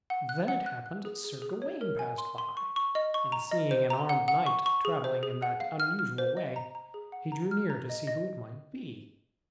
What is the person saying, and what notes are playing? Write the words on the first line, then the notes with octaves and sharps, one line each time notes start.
Then it happened Sir Gawain passed by and seeing an armed knight travelling in that unusual way he drew near to see who it might be.
F#5
F#6
F#5
F#6
F#6
G#4
G#4
G#4
C#5
A#4
G#5
C6
C6
C#6
C#6
D#5
C#6
A#5
D#5
C5
A#5
F#5
F#5
C#6
C#6
G#4
C5
G#4
F#5
F5
F6
F6
C5
D#5
A#5
A#5
G#4
F#5
A#5
F6
A#5
D#5
D#5